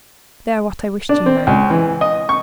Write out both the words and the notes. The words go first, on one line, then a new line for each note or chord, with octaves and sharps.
They are what I wish to unite!
D4
C4
C#2
E3
D#5
C#6